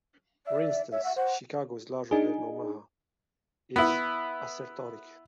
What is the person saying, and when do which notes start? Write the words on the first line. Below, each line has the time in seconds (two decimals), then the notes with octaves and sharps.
For instance, "Chicago is larger than Omaha" is assertoric.
0.47 D5 E5
0.92 C#5 E5
1.04 F#5
1.16 C5 F#5
2.11 D4 D#4 G#4
3.76 B3 E4